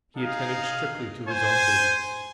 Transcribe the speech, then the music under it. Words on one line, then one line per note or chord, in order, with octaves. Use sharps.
He attended strictly to his own business.
D#4 G#4 F5
C5 G#5